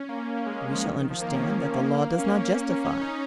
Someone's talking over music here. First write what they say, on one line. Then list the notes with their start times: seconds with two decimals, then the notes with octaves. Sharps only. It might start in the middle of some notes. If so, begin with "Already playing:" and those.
We shall understand that the Law does not justify.
Already playing: C#4
0.09 A#3
0.34 A#3
0.47 G#3
0.60 A#3
0.72 F3
0.84 D#3
0.98 D#3
1.10 F3
1.22 A#3
1.35 C#4
1.84 A#3
2.19 C#4
2.36 C#4
2.52 A#3
2.68 C#4
2.85 C#4
3.01 D#4